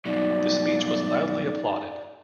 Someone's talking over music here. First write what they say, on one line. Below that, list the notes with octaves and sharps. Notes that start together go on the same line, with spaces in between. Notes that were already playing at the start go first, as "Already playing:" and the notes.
The speech was loudly applauded.
G2 B2 F#3 D#4 D5